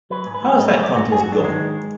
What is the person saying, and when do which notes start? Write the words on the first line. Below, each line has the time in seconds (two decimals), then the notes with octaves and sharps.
How has that contest gone?
0.10 F#3 B4
0.26 G#2
0.34 B4
0.43 F#3
0.59 G#2 D#5
0.76 F#3 D#5
0.83 D5
0.92 G#2 F#4
1.08 G#2 G#4
1.20 F#3 F#4
1.32 D4
1.40 D#3 G#3
1.56 G#2